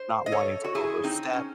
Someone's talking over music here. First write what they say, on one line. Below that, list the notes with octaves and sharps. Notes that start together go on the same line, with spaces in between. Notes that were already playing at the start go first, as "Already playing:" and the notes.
not wanting to overstep,
Already playing: C5
D#5
A4 C#5
F#4
E4 G#4
C4 D#4
C#4